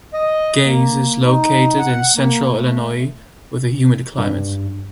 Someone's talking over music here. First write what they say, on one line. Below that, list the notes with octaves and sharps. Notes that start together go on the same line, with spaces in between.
Gays is located in Central Illinois, with a humid climate.
D#5
A#3
D#4
F#5
A#3
A3
G2